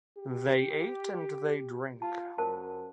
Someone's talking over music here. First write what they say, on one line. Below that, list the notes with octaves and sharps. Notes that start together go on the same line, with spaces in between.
They ate and they drank.
G4
F4 A5
F#2 A#4 C5 A5